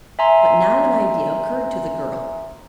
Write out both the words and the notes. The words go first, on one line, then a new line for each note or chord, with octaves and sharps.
But now an idea occurred to the girl.
E5 G#5 A#5 C6